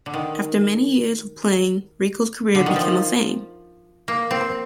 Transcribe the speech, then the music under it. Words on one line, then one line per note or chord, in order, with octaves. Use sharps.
After many years of playing Rico's career became a fame!
D3
D#3
D3
D#3
F3
A#3
C4